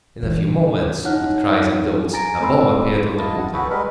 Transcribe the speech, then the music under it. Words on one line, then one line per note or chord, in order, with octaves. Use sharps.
In a few moments, with cries and oaths, a bomb appeared on the poop-deck.
E3
D#4 E4 C#5 F#5 F6 F#6
G#5 A#5 A6 A#6 D7
A3 C4 A4 B5 C6 E6
E4 F4 D#5 A5
F#5
F#4 G#4 A4 B4
G3 G#3 A#4 B4